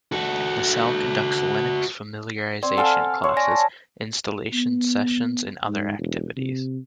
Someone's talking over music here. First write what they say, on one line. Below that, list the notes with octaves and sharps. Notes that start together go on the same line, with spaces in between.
The cell conducts Linux familiarisation classes, installation sessions and other activities.
F#4 A4
C4 D5
A4 F5 F#5 G#5 F6
C#5 C6
D5 G#5 A#6
A5
B3
G#2
E1
C3